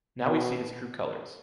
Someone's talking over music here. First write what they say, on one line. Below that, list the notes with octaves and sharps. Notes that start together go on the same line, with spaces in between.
Now we see his true colors.
B2